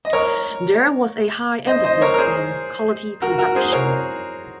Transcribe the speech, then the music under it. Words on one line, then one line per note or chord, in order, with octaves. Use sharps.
There was a high emphasis on quality production.
D#5
A#4 C#5
C5 D#5
C5 D#5
A#4 C#5
A#4
G#4 C5
F#4 A#4
F#4 A#4
G#4 C5
A#4 C#5